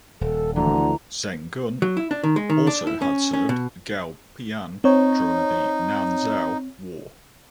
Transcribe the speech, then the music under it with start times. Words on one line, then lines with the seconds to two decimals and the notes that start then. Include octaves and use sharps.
Zeng Gun also had served Gao Pian during the Nanzhao war.
0.21 D#1 A4
0.56 D2 D3 E3 F3 A#5
1.82 F#3
1.97 E4
2.11 D4
2.24 D#3
2.36 G#3
2.50 D#3
2.67 D4
2.87 E4
3.02 C#4
3.33 C#4
3.49 B2
4.84 C4 D#4 C#5